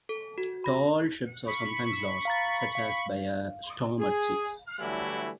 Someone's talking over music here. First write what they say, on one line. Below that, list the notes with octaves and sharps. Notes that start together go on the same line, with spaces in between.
Tall ships are sometimes lost, such as by a storm at sea.
A4
F#4
B5 A#6
B5 C#6
F5 A#5 A6
F5
G#4
D3 E3 F#3 G3 A3 E4